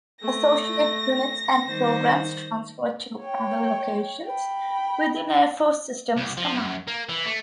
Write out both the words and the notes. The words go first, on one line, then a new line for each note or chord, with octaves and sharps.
Associate units and programs transferred to other locations within Air Force Systems Command.
A3 A#6
D#3 G3 C5
C#5 G5
G5 B5
C2
F3
F#2
A#3
E3
A3